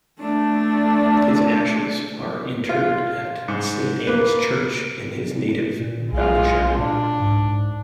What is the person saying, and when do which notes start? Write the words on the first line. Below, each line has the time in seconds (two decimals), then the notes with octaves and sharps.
His ashes are interred at Saint Anne's church in his native Ballyshannon.
0.20 A3 D4
2.69 F4
3.48 G#2
4.07 A#3 B4
5.79 A#2
6.12 B1 G#3 F4
6.78 A#2 D4
7.20 G#2